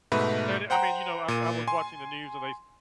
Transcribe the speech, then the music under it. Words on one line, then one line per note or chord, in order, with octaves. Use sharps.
And it I mean, you know, I I was watching the news, and they s
G#2 B2 A3 B4 E5
C5 F#5 G5 A#5
A#2 D#7
G#5 C6